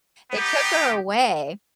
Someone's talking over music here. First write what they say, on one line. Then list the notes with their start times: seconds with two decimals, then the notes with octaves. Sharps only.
They took her away,
0.32 B3 D#4 G4